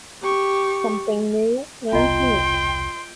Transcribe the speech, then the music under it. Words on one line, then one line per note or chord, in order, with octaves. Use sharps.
Something new and unique.
G4 C#6
E1 C2 B3 F4 D#5 G5 A#5 C6